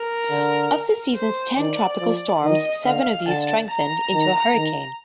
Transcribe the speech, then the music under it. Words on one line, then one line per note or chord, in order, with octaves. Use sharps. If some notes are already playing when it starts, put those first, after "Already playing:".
Of the season's ten tropical storms, seven of those strengthened into a hurricane.
Already playing: A#4
D3
C5
D#3 D5
F3
D#3 D#5
D3 F5
D3 A5
A#5
D#3
D#3